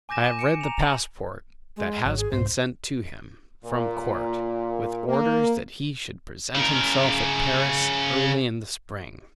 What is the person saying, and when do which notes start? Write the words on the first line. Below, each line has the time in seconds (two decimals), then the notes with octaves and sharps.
I have read the passport that has been sent to him from court, with orders that he should present himself at Paris early in the spring.
0.09 G#5 D6 G6 A#6 E7
0.24 G6 D#7
0.39 C#7 D7
0.61 A#5 F7
0.77 F7 F#7
1.76 G#3
2.04 G#1 F#3
2.17 G#4
2.32 C2 G#2 C5
3.65 A#2
5.08 A#3
6.55 C#3 A#4